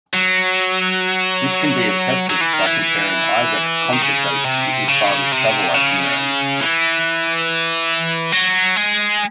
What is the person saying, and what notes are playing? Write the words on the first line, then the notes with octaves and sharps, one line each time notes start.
This can be attested by comparing Isaac's concert dates with his father's travel itinerary.
F#3
F#3
E3
D#3
E3
D#3
C#3
C3
C#3
C3
C#3
E3
F#3
G#3